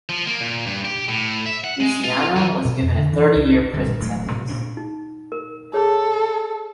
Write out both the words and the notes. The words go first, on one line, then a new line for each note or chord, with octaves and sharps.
Luciano was given a thirty-year prison sentence.
F3
A#3
A#2
G2
G4
A2
E5
F#5
G#3
F4
E3
B2
F2
D3
E3
C#2
B1 G2 D3
E1 A2 F#3 G#3
A2 C3
D2 A#2 C#4 D4
D#4
A#4
G#4 A4 C#5